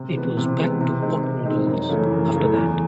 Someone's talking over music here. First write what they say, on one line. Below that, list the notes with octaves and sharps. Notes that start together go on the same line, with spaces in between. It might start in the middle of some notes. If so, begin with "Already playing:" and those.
It was back to Pot Noodles after that.
Already playing: C3
E3 G#3 B3
C3
E3 G#3 B3
C3
D#3 G#3 C4 D#4
C3
D#3 G#3 C4 D#4
F#2
C#3 E3 A3
F#2
C#3 E3 A3
E2